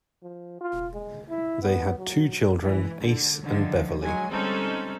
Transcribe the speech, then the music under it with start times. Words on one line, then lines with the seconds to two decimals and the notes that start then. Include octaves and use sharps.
They had two children, Ace and Beverly.
0.23 F3
0.61 F4
0.94 G#3
1.29 E4
1.62 B3
1.98 F#3
2.63 E3
3.02 D3
3.45 D3 D#3 F3
4.02 F#3 G#3 G#5
4.30 G3 G#3 C4 C#4 D#4 A4